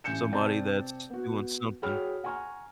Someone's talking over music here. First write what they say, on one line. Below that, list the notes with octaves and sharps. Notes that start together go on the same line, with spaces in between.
somebody that's doing something
A1 G#5 G6 C#7 E7
C2 C4 D5 A5 G6
B3 F#4
F#4 G#4 C#5 G5 B5 F6
F#5 G#5 A#5 C#6 F6